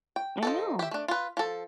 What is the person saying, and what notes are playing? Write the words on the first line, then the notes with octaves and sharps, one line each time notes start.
I know.
G5
F3 D#4 A4
G4 E5
A3 D4
F4 B4
F3 A4